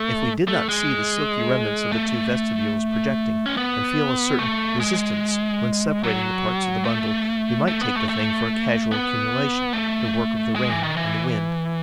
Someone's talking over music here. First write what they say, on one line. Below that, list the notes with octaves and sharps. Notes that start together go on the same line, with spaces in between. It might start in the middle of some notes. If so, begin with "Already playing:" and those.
If we did not see the silky remnants of the two vestibules projecting and feel a certain resistance when separating the parts of the bundle, we might take the thing for a casual accumulation, the work of the rain and the wind.
Already playing: A3
A3
G#3
A3
C#4
B3
A3
G#3
F#3
A3
A3
B3
A3
A3
B3
A3
G#3
E3
D#3
E3